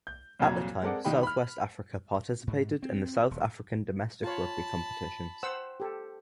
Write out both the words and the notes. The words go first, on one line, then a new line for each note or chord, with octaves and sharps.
At the time South West Africa participated in the South African domestic rugby competitions.
G6
C2 F2 A#2 F#3 A#5 G#6
G#3 C4 A4 A#4 D5 F#5
C2 D#3 D#4 G4 G5 B5
B5 F6
G#2
C4
D#1
F4 C#5 A5 B5
C5 F#5 E6
G4 A4